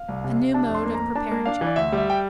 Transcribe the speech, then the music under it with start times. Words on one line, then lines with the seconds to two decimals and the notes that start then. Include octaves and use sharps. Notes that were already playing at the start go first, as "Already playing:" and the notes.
A New Mode of Preparing Chocolate.
Already playing: F5
0.08 C2
0.24 C3
0.40 C3
0.54 D4 A5
0.69 F2
0.75 C6
0.86 A#3
0.95 A#5
1.00 A#3
1.15 D4 A5
1.31 A#3
1.46 D4 F5
1.61 E3
1.66 D5
1.76 D2 E5
1.92 G3 E5
2.10 G5